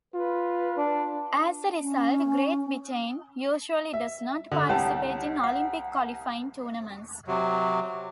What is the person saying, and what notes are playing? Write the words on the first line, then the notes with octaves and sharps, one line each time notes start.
As a result, Great Britain usually does not participate in Olympic qualifying tournaments.
F4 B4
D4
C#4
E5
D3 A4
C2 G4 C#5 F#5 A5
F#5
C3 F#3